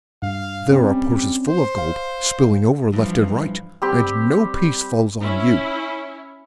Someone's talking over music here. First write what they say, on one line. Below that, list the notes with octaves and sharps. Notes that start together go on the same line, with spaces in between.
There are purses full of gold spilling over left and right, and no piece falls on you!
G2 F5
G3 C4 C#4
C5
F5
G2 E3 F3
G3 C4 G4 B5
C#4 E4